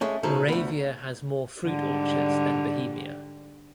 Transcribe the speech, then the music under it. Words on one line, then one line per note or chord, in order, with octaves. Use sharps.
Moravia has more fruit orchards than Bohemia.
G#3 A3 C#4
B2 F3 G#3 D#4 A4
D2 B3
G#2 D3 G3